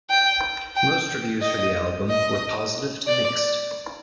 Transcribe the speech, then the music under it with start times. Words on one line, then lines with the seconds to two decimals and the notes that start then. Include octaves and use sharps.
Most reviews for the album were positive to mixed.
0.10 G5
0.76 G5
1.42 D#5
2.09 D#5
3.07 D5